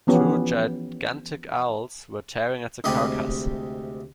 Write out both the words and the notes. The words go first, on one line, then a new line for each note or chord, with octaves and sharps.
Two gigantic owls were tearing at the carcass.
E3 F3 B3 C#4 G4
D2 C3 G#3 G4 D#5 B5